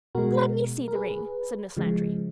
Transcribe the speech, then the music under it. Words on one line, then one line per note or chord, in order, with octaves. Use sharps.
"Let me see the ring," said Miss Lantry.
B2 G#3 F#4 A#4
A#4
G#4 B4
C#3 F3 G#3